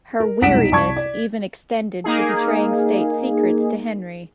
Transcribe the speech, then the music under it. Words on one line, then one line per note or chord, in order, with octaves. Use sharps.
Her weariness even extended to betraying state secrets to Henry.
A#4
C2 G#3 F#5 B6 D7 E7
B1 D#4
C2 D5 A5 C#6 G#6
D5
A#3 D#4 G#4